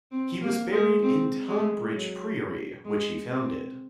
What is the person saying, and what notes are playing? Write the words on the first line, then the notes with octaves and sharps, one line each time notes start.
He was buried in Tonbridge Priory, which he founded.
C4
A#3
G#3
C4
G#3
F#3
G#3
C4